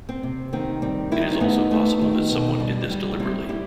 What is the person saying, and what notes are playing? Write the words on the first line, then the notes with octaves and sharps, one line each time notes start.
It is also possible that someone did this deliberately.
C4
C3
D#3 C4
G3 C4
D#3 E4
D#4
C4
A3 B3 D#4
A3
D#3
B2
G3
G3
D#4
G3 C4 E4
G3 E4 G4